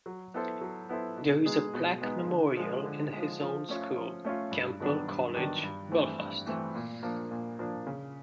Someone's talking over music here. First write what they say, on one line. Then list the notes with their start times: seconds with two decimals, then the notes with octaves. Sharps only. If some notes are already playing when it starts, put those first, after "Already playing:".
There is a plaque memorial in his old school, Campbell College, Belfast.
0.06 F#3
0.34 B3 E4 A4 C5
0.61 F#3
0.89 B3 E4 A4 C5
1.17 B2
1.46 G#3 B3 D#4 G#4
1.73 B2
2.01 G#3 B3 D#4 G#4
2.28 D3
2.57 F3 G#3
2.85 D3
3.13 F3 G#3
3.41 F3
3.69 A3 C#4 F4
3.97 F3
4.25 A3 C#4 F4
4.51 G2
4.80 D#3 F#3 B3 D4
5.08 G2
5.35 D#3 F#3 B3 D4
5.63 G2
5.92 E3 A3 C4
6.19 G2
6.46 E3 A3 C4
6.75 A#2
7.03 F3 A#3 D4
7.31 A#2
7.59 F3 A#3 D4
7.87 C#3